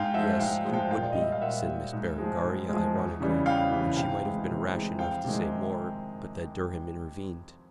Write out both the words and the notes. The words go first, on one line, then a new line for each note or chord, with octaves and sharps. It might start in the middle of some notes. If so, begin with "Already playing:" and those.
"Yes, you would be," said Miss Berengaria ironically, and she might have been rash enough to say more, but that Durham intervened.
Already playing: G#2 F5 G5
F3 G#3 E5 F#5
G#2 F5 G5
F3 G#3
F5 G5
A#2 F5 G5
D5
G3 D#5
E5
F5
A#2 E5 F#5
G3
G#2
F3 G#3
G#2
F3 G#3
E2
C#3 E3 G3
E2 F5 G5
C#3 E3 G3
C3 F5 G5
E3 G#3
C3
E3 G#3
F2 F5 G5
C3 D#3 G#3